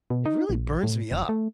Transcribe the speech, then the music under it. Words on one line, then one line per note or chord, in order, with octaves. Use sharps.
it really burns me up,
B2
D#4
A#1
A2
F1
A3